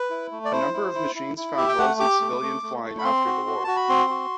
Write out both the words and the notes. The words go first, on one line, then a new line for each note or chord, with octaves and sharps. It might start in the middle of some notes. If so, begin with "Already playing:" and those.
A number of machines found roles in civilian flying after the war.
Already playing: B4
E4
A3
D5
E4 C5
E4
E4
E4
E4
G4 E5
G5
A3 F#5
G4 D6
A3
A3
A3
A3
B5
C4 C6
F#4
F#4
F#4 A5
B5
C4 C6
F#4